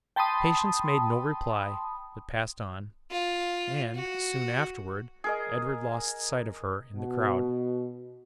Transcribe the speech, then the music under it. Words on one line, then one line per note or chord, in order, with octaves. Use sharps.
Patience made no reply, but passed on; and, soon afterward, Edward lost sight of her in the crowd.
G5 A5 B5 C6 D#6
F4
F#4
G#4 A#4 D#5
B2